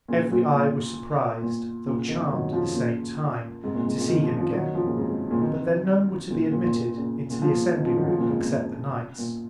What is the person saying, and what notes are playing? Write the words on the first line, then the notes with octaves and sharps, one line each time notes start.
Every Eye was surpriz'd, tho' charm'd at the same Time to see him again: But then none were to be admitted into the Assembly-Room except the Knights.
A#2 C#3
A#2
A#2
A#2
A#2 C#3
C3 D#3
D#3 F#3
C#3 F3
A#2 C#3
G#2 C3
A#2
G#2 C3
A#2 C#3
C3 D#3
C#3 F3
C#3 F3
D#3 F#3
C#3 F3
A#2 C#3
G#2 C3
G#2
A#2 C#3
C3 D#3
A#2 C#3
A#2
A#2
A#2
A#2 C#3
A#2 C#3
C#3 F3
A#2 C#3
C3 D#3
C#3 F3
D#3 F#3
C#3 F3
A#2 C#3
G#2 C3
A#2
A#2